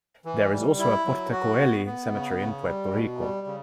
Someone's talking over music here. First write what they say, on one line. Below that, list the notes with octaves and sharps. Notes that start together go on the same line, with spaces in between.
There is also a Porta Coeli cemetery in Puerto Rico.
E3
G3
E4
F#3
F#4
B3
B3
C#3
C#3
G3
B2
G3
C#3